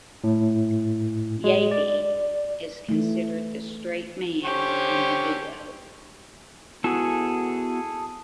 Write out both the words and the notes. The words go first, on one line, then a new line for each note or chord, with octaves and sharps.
Yabe is considered the straight man in the duo.
A2
G#3
D5
E3 A3
D3 C#4 G4 C5 C#6
B3 E4 F#4 G#4 A4